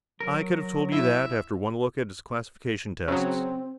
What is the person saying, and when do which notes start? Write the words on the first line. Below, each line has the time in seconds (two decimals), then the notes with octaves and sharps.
"I could have told you that after one look at his classification tests."
0.20 F#3 A#4
0.92 E4 E5
3.08 C#3 F#3 C4